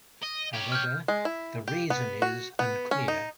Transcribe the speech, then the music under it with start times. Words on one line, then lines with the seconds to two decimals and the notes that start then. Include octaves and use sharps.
However, the reason is unclear.
0.23 D#5
0.54 G4 C#5
0.72 F6 G6
1.08 G#3
1.25 E4
1.68 G4
1.90 B3
2.22 F#4
2.59 B3
2.91 C#4
3.08 D#4